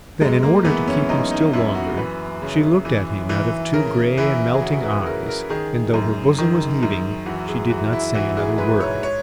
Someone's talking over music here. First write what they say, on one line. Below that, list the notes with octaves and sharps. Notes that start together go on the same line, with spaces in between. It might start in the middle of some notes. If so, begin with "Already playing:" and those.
Then, in order to keep him still longer, she looked at him out of two grey and melting eyes, and though her bosom was heaving, she did not say another word.
F#2 G#3
A#3
E3 B3
C#4
F#2 D#4
D#4
F#2 E4
F#4
E3 B4
C#3
E3
E3
C#3 A#4
E3 E4
G#4
C#3 F#4
B4
C#3 A#4
A#4
D#3 G#4
F#2
D#3
F#2
E3 F#4
G#4
E3 F#4
E4
E3 F#4
G#4
G#2 B4
C#5
C#5